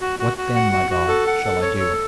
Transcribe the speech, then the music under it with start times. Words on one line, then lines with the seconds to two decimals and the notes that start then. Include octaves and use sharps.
What then, my God, shall I do?
0.01 F#4
0.19 F#4
0.37 F#4
0.55 F#5
0.72 F#4
0.90 F#4
1.08 A4
1.27 F#5
1.45 A4
1.62 C#5
1.80 A4